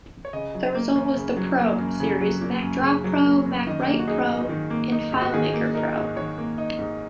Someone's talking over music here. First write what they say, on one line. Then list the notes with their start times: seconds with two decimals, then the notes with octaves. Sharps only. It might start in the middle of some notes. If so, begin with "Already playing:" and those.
The result was the "Pro" series: MacDraw Pro, MacWrite Pro, and FileMaker Pro.
0.25 C#5
0.33 C#3 D#5
0.55 F#3
0.75 A#3
0.96 F#2
1.16 C#3
1.37 F#3
1.59 A#3
1.79 F#2
2.00 C#3
2.21 F#3
2.41 A#3
2.62 F#2
2.83 C#3
3.04 F#3
3.25 A#3
3.46 F#2
3.67 D#3 D#5
3.87 A#3
3.99 F#4
4.08 D#4 G#4
4.28 G#2
4.49 D#3
4.70 A#3
4.92 D#4
5.12 G#2
5.22 F#4
5.33 D#3 G#4
5.54 A#3
5.74 D#4 A#4
5.96 G#2
6.16 D#3 C#5
6.38 A#3
6.58 D#4 D#5
6.79 G#2